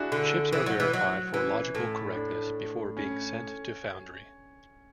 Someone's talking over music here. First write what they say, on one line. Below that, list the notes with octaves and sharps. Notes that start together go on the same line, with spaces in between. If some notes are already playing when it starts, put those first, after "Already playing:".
Chips are verified for logical correctness before being sent to foundry.
Already playing: D4 E4 F#4 G#4
D3
E3
F#3
E3
F#3
E3 C#4
A2
D4
C#4